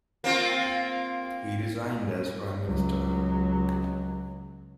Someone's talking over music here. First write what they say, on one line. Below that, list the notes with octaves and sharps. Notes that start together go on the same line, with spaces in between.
He resigned as prime minister.
A#3 C4 F4
C#2 F#3